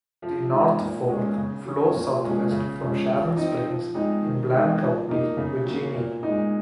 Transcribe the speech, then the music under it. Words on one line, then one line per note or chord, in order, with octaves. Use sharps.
The North Fork flows southwest from Sharon Springs in Bland County, Virginia.
F3
G#3 C4 D#4
A#2
G#3 C#4
C#3
F#3 C#4
A#2
F3 G#3 C#4
C#3
F3 G#3 C#4
F3
C4 D#4
F3
G#3 C4 D#4
D#3
G#3 C4 D#4
F3
A#3 D#4
C#3
F#3 A#3
A#2
G#3 D#4